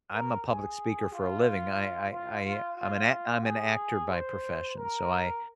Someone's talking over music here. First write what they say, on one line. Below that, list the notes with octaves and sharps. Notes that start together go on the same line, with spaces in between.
I'm a public speaker for a living. I I I I'm an act I'm an actor by profession, so I
A#4
G#4
F4
F4
F4
F4
G#4
C5
A#4